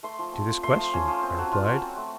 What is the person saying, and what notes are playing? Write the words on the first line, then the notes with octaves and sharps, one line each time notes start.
"To this question," I replied.
A3 C6
F3
C4
F3
A3 C6
F3
C#4
F3
C4
F#3
F4
F#3
C4
A3